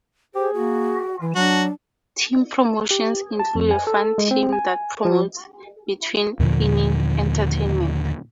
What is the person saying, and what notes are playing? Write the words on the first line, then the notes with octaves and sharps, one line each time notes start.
Team promotions include a "Fun Team" that promotes between-inning entertainment.
G4 G#4 C5
A#3 F#4
E3 E4
F#3 D4 F#4 A5
G4
A5
F2
G#5
A4
G#3
C4
G#5
F3
D#2 A#2 D3 F3